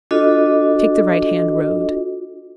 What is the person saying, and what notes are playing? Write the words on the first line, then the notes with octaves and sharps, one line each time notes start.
Take the right-hand road.
D4 F4 F#4 A4 D#5